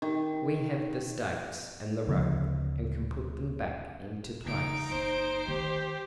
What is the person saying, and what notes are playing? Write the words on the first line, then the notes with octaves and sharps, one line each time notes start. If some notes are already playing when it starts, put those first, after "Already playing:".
"We have the stakes and the rope and can put them back into place."
D#3
D2 C#3 F3 C4
C#2 C#3 D#4 D7
F#1 C4 C5
D#3 G4